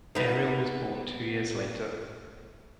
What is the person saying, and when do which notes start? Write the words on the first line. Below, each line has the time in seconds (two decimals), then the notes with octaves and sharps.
Ariel was born two years later.
0.15 B3 D#4